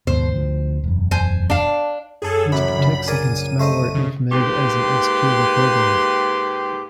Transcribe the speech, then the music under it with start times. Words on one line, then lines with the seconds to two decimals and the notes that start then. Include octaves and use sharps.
This protects against malware implemented as an executable program.
0.07 D#2 G#2 B2 C5
0.32 D2 F3
0.84 E1 F#2
1.11 C5 G#5
1.50 D4 F5
2.22 F#2 G#4 A4
2.52 A1 F#2 C#3 A3 B5
2.75 A#1 C#3
3.08 G#4 A#4 D5 D#7
3.60 A3 C5 D#5
3.95 C#3
4.32 G#2 A#3 G4 B4 G5 C6